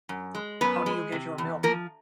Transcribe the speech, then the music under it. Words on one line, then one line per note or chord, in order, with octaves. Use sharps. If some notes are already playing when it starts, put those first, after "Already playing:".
How do you get your milk?
F#2
G#3
F#2 B3 B4
G#3
C3
E2
F3 A#3 A#4